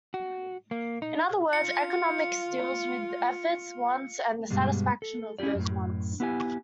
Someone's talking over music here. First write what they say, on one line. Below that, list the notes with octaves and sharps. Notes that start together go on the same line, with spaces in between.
In other words, economics deals with effort, wants, and the satisfaction of those wants.
F#4
A#3
D#4
F4 C#7
G2 B2 G3 G#3
A4
C#4 E4 F4 G4 D5
F#2 A2
B3 E4 G4 D5 G#5